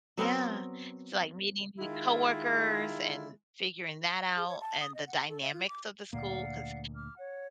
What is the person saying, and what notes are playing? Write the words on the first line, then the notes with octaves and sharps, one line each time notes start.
Yeah. It's like meeting new coworkers and figuring that out, and the dynamics of the school 'cause
F#3 B3 C4 A#4
D#3 G#3 E4 F4
G#4
C#5
A5
D#6
D#5
F#5
A4
E5
F4
D6
D2 A#2 A#3 D5 F5 F#5
D6 F6
C#5 F#5